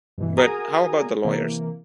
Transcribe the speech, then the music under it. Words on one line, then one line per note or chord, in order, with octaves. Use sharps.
But how about the lawyers?
G2 B2 E3
F#4 G#4 A#4 G#5 A#5 D#6
C3 E3 A#3